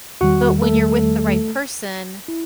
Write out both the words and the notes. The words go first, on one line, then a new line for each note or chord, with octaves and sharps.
but when you're with the right person,
E2 D#3 G3 F#4 F#5
A3 A4
E4